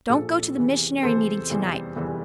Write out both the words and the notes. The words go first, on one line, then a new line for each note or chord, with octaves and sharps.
"Don't go to the missionary meeting to-night."
A#1 A#2 F3 A4
E2 C3 E3
E2 C3 E3 A4 C5
F1 E2 E3 G3
F1 E2 E3 G3